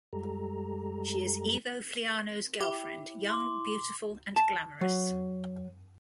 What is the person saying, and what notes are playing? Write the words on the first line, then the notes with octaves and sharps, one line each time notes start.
She is Ivo Flaiano's girlfriend, young, beautiful and glamorous.
F#2 G3 G#3 G4 A4 A#5
E4 G4
C6 D6
A5
F#3